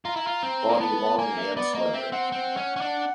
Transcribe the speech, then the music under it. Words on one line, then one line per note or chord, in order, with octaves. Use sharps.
Body long and slender.
F4 A#5
E4
F4
C4
A#3
B3 A5
A5
A#3 G#5
E5
B3 D5
A#3 D#5
C4 E5
C4 F#5
C4
C#4
C#4
D4